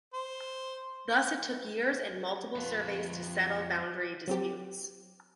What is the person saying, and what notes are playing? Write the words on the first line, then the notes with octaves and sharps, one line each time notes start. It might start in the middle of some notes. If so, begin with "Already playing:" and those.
Thus it took years and multiple surveys to settle boundary disputes.
C5
F2 F3 F4 B4
F#3 C4 G4